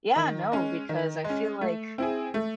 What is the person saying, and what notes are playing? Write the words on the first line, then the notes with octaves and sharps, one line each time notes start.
Yeah, no, because I feel like,
D#3
G#3 C#4
D#3
G#3
C#4
A3
C4 E4 G#4
A3